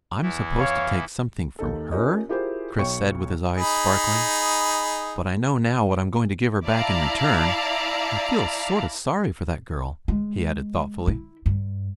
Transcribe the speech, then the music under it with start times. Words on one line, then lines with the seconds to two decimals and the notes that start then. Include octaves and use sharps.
"I'm supposed to take something from her," Chris said with his eyes sparkling, "but I know now what I'm going to give her back in return. I feel sort of sorry for that girl," he added thoughtfully.
0.22 E2 E3 E4
0.59 C#5 F5
1.59 D#2 D#4 A4
1.92 C#4 F4 G4 A#4 C#5 D#5
2.29 E4 F4 G4 G#4 A#4 C5
2.79 B1 C#5 G5 C#6 C#7
3.57 D#4 G#4 B5
6.65 E4 D5 F5 A5 A#5
10.08 G#3
11.07 E4
11.46 G2